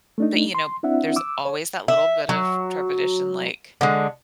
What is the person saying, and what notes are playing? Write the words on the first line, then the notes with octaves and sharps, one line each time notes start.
but, you know, there's always that little bit of trepidation like
A3 D4 D#4
C6
C4 D4 E4 E5 F#5
D6 E6
C#5
E5
F#3
D3 G#3